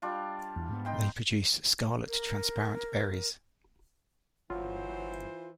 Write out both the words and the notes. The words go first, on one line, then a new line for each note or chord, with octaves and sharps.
They produce scarlet, transparent berries.
G3 D4 F4
E2
G#2 B3
D#4 G5 C6
A#4
G1 E3 F#3 F4 C5